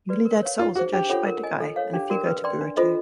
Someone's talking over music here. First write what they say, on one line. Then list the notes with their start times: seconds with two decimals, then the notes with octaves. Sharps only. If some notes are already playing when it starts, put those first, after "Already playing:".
Newly dead souls are judged by Degei, and a few go to Burotu.
0.09 F#4 B4 D5
0.25 A#4
0.43 C#5 F5
0.59 D#4 F4
0.76 F#4 G#4 C5
0.93 D4 G4
1.09 F4 A4 C#5 F#5
1.26 A#4
1.43 D#5 G#5
1.60 A4
1.76 C#5 F5
1.93 D4 G4
2.10 F#4 A#4 D5
2.26 B4
2.44 D5 G5 C6
2.61 D4
2.77 F4 A4 C5 D#5